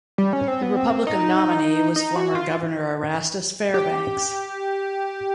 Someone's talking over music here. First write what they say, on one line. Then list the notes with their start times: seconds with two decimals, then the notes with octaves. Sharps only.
The Republican nominee was former Governor Erastus Fairbanks.
0.18 G3
0.33 C#4
0.48 C4
0.62 B3
0.77 C4
1.07 D#4
1.96 D#4
2.16 F#4
2.35 F4
3.74 G4